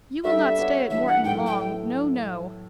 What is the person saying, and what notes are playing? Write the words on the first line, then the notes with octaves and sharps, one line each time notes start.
"You will not stay at Morton long: no, no!"
G3 D4 A4 D5 E5
B3 F#4 C#5
E3 G3 B3 D4 E5
F#5
A2 F#3 B3 E4 A4 G5
G5